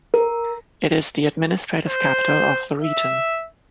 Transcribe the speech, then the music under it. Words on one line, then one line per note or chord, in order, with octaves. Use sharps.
It is the administrative capital of the region.
A#4
C5
E5